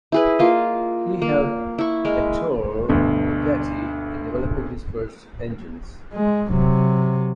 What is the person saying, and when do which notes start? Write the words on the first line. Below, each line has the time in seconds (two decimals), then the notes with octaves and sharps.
He helped Ettore Bugatti in developing his first engines.
0.12 E4 G#4 B4
0.39 A#3 F4 D#5
1.22 A#3
1.78 E4 C#6
2.05 G#3 A#4
2.89 D2 G2 B2
6.14 G#3
6.49 C3 F#3